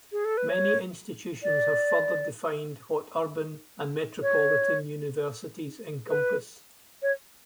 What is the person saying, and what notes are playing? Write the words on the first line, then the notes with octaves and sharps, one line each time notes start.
Many institutions have further defined what urban and metropolitan universities encompass.
G#4
A4
B4
C#5
D5
C#5
B4
C#5